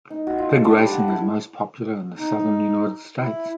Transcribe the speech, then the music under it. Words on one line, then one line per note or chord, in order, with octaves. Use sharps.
Pig-racing is most popular in the Southern United States.
D#4
F#4
F4
A5
D4
G3
F#5
E4
D#4
E4